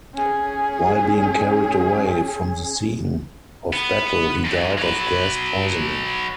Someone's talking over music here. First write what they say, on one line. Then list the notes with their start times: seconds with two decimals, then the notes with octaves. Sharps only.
While being carried away from the scene of battle he died of gas poisoning.
0.14 C#4 G#4
3.73 B3
4.44 F#2
4.78 F#3 B4